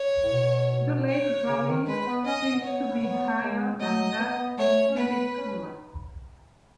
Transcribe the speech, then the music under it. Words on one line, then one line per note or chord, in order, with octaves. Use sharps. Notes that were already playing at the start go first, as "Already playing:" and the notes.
The lake valley seems to be higher than that of Temecula.
Already playing: C#5
A2
B2
C#5
C#3
D#3
G#3 B4
B3
C#4 D#5
C#4
B3
C#5
B3
G#3
F#3 D#5
B3
B3
A3 C#5
C#4
B3 B4
C#4